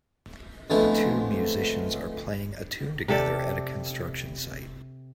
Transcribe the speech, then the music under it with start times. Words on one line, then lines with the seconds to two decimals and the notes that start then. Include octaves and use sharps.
Two musicians are playing a tune together at a construction site.
0.70 F2 D3 G#3 A3 B3 E4
3.08 C3 G4 A4 D5